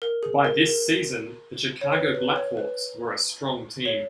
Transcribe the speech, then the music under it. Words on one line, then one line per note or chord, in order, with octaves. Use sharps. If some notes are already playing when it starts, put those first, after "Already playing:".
By this season, the Chicago Black Hawks were a strong team.
A#4
G#4
A#4
A#4
C#5
B4
B4
C#5
B4
C#5